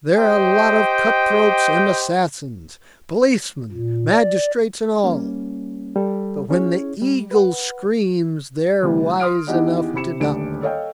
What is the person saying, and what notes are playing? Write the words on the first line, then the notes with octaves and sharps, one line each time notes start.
"They're a lot of cutthroats and assassins--policemen, magistrates and all--but when the eagle screams they're wise enough to duck."
G4 C5 D#5 G5
A#2
D5
G3 A#3 C#4
G3 A4
C#4 E4 G#4 C#5
G3
B4 F#5
D2 C3 E3 G3
C6 D#6 F6 D7
E2 D#3 E3 G4 D#5 F#5
C3 E4 G4 B5 C#7 E7
D#1 D2 D4 G4 D7
A4 C#5 D#5 F5 G5